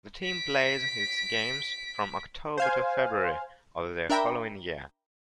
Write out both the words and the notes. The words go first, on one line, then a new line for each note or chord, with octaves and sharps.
The team plays its games from October to February of the following year.
B6 D7
C5 F5 G#5
D4 A#4 E5 G5 A#5 B5